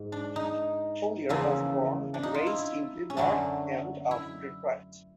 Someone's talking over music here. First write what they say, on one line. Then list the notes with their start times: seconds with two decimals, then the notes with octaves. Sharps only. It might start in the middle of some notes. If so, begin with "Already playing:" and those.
Hollier was born and raised in the North End of Detroit.
Already playing: G#2
0.12 D4
0.36 D#4
1.29 E2 C#3 F3 A#3 E4
2.14 D4
2.23 D#4
2.34 F4
2.47 E4
2.58 E4
3.10 C#4
3.17 F#2 D3 F#3 A3 D4
4.11 E4